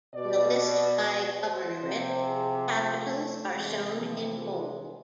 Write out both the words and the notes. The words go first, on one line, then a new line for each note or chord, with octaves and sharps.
In the list by governorate capitals are shown in bold.
B2 D5
D5
C5
C3 F3
G#4
A3
C3 E3 G#3
F3
G#3